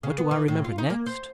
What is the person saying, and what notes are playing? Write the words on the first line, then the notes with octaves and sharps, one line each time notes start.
What do I remember next?
C#3
B3
E3
A2
F4
D#4
A#3
C5